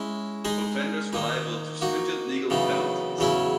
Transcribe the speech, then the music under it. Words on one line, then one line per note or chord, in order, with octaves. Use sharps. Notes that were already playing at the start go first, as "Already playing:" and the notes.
Offenders were liable to stringent legal penalties.
Already playing: G#3 C#4 E4
G#3 D#4 G#4 D#5
D#3 A#3 D#4
A#3 D#4 F#4
F#2 C#3 E3 B3 D#4
E2 C#3 F#3 C#4 E4